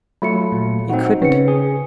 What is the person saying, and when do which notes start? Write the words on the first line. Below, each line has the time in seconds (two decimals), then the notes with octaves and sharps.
You couldn't.
0.22 F#3 A3 F4 B5 C#7
0.52 A#2
0.89 C4 D#4 F#4 F#5
1.22 C#3 B4 C#5 C#7
1.48 G#4